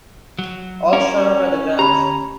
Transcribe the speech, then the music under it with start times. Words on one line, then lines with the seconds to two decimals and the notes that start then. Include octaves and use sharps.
All’s shut up at the Grange.
0.39 F#3
0.93 C#4 F#4 A#4
1.79 D2 G4 A#5 B5